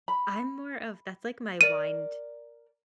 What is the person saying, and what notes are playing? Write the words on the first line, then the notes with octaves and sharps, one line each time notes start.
I'm more of that's like my wind
B5
A#4 D5 D#7